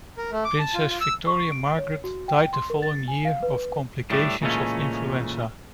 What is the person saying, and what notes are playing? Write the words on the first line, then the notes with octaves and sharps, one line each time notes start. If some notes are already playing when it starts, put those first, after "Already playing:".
Princess Victoria Margaret died the following year of complications of influenza.
A#4
A3
D6
A5
F4
F4
E6
C#6
D7
C#5
F#4
G5
C6
A#4
A6
G#5
F5
B4
A2 G3 A3 D4
A#2 C#3 E3 G#3 A3 C#4